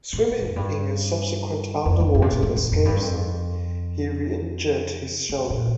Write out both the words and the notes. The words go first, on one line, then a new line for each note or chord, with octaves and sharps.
Swimming in a subsequent underwater escape scene, he re-injured his shoulder.
A2
F2
G2
F2
F2
G2
C3
A#2
A2
E2
F2
G2
F2
F2
A#2